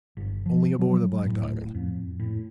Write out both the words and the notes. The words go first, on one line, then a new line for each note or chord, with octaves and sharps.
'Only aboard the Black Diamond.
G1
F3
F#3
A2
F2
A2